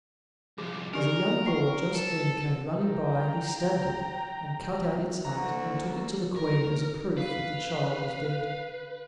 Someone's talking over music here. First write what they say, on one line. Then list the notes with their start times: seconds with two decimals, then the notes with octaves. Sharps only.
As a young boar just then came running by he stabbed it, and cut out its heart and took it to the Queen as a proof that the child was dead.
0.58 C2 F2 G#4
0.93 D4 G4 A#4 D5
1.46 F#5 G5 C#6
1.95 A4
2.81 G5 A#5
5.25 D2 E3 A#3 F#4 A#5 E6
6.36 A#4
7.18 B4 F5